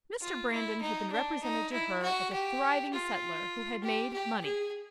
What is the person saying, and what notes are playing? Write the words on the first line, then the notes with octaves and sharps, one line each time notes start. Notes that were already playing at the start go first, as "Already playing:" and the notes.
Mr. Brandon had been represented to her as a thriving settler who had made money.
F4
E4
D#4
D4
D#4
E4
F#4
G4
F4
G4
G4
G#4